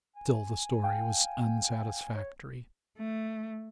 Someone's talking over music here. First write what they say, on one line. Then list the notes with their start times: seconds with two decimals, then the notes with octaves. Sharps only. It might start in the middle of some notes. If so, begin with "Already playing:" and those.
Still the story was unsatisfactory.
0.16 G#5
0.83 F5 G5
2.15 C#5
2.98 A3